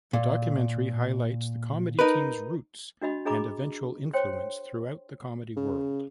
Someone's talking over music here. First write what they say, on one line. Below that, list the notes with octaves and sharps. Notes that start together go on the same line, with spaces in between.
The documentary highlights the comedy teams roots and eventual influence throughout the comedy world.
A#2
D#4 A#4 B4
D4 F#4 D#5 B5
D4 G#4 D#5 A#5 B5 D6
C5 C#5 G5 C6
C#3